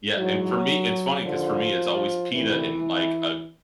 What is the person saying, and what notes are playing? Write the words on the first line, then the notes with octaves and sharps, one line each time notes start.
yeah, and for me, it's funny 'cause for me it's always pita, and, like, a,
G#2 E3 F#3
D#2 D3 F3
D2 C3 D#3 E3